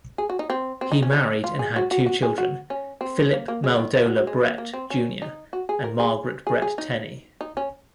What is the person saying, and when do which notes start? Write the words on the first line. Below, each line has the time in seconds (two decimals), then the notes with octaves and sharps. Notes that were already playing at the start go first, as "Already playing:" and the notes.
He married and had two children: Philip Milledoler Brett, Junior and Margaret Brett Tenney.
0.18 G#4
0.29 F#4
0.39 D#4
0.50 C4
0.81 C4
0.92 D#4
1.03 C#4
1.13 D#4
1.44 F4
1.59 G#4
1.76 F#4
1.91 F#4
2.06 F#4
2.23 G#4
2.38 F#4
2.70 C#4
3.01 C4
3.33 A#3
3.48 A#3
3.64 G#3
3.79 D#3
3.96 F3
4.06 F#3
4.17 F#3
4.27 G#3
4.43 A#3
4.58 A#3
4.73 C4
4.90 C#4
5.22 D#4
5.53 F#4
5.69 G#4
5.84 A#4
6.00 G#4
6.47 G#4
6.62 G#4
6.78 D#4
7.41 D#4
7.57 C#4